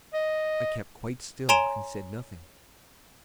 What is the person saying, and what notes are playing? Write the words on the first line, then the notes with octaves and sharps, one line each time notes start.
I kept quite still and said nothing.
D#5
C#5 G#5 A#5 C6 D7 E7